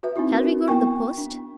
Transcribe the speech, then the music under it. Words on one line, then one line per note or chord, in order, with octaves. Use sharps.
Shall we go to the post?
F#4 B4 E5
C4 D#4 E4 F#4
A#4
B3 E4 A#4 G5 G#5 C#6
D4